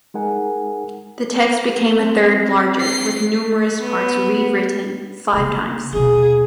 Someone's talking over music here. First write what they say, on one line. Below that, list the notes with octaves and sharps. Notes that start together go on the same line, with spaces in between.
The text became a third larger, with numerous parts rewritten five times.
G#3 D#4 G#4 A#4 F#5 G#5
C4
C7
B3
C#3 A#3
D#2 B2 G#4